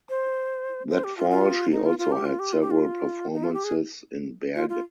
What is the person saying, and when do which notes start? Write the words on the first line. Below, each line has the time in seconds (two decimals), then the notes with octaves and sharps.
That fall she also had several performances in Bergen.
0.09 C5
0.90 C5
1.04 G4
1.17 F4
1.31 F4
1.71 D#4
1.85 F4
1.99 F4
2.12 G4
2.25 F4
2.39 G4
2.53 F4
2.62 G4
2.71 F4
3.34 D#4
3.44 F4
3.54 G4
3.64 G#4
4.56 F4
4.69 F4